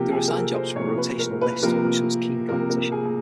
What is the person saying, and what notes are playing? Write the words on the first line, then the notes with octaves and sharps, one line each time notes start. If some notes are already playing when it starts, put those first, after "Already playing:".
They were assigned jobs from a rotational list, for which there was keen competition.
Already playing: C3 F3 A#3 G4
G#4
A#4
A4
C5
C3 F3 A#3 C#5
B4
A#4
B4
C3 F3 A#3 A#4
C3 F3 A#3 A#4
A#4
G#4
G#4